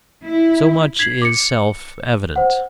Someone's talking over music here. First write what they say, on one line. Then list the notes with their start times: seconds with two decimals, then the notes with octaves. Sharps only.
So much is self--evident.
0.24 E4
0.99 G#6 B6 C7 F#7
1.22 D6 C#7
2.36 C5 F#5